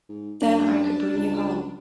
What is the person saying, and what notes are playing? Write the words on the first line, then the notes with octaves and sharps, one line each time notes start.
Then I could bring you home.
G#2
F#2 D4
C#2